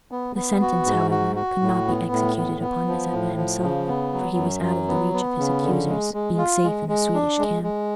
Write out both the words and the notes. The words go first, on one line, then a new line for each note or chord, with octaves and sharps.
The sentence, however, could not be executed upon Mazeppa himself, for he was out of the reach of his accusers, being safe in the Swedish camp.
B3
B3
F#4
G#2
F#4
F#4
A2
B3
A2
B3
B3
F3
A2
F3
C#3
B3
F#3
F#2
F#3
B3
B3
C#3
D3
G#3
G#3
F4
G#3
G#3
D4
G#3
G#3